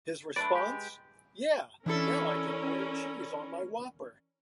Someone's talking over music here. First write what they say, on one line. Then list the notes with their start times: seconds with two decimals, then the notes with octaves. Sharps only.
His response: "Yeah, now I can order cheese on my Whopper".
0.36 A3 D4 B4 D5
0.51 G#3 G4
1.86 E3 C#4 D4 E4 A4 A#4